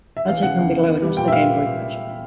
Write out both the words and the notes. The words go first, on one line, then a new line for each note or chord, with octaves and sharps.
Undertaker and Bigelow are not in the Game Boy version.
E5
E3 F5
C#3 F#5
E2
E2
B3
G3
A#2 G5
E5
A#2 F5